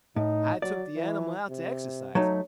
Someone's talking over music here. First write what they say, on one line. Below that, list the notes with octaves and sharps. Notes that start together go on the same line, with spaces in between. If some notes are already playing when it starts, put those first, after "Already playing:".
I took the animal out to exercise him.
A2 D#4
F#3 D5
E3
C3
F#3 A3 D#4